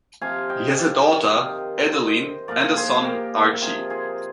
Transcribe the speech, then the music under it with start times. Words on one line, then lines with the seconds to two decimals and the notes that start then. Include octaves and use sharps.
He has a daughter, Edieline, and a son, Archie.
0.21 C3 F3 F5 G#5
0.49 D#5 G5
0.78 D5 F5
1.25 F5
1.35 C3 D#3 D#5 G5
1.92 C5 D#5
2.48 A#2 F3 A#4 D5
2.77 G#4 C5
3.05 G4 A#4
3.61 C3 F3 F4 G#4
3.90 F4 G#4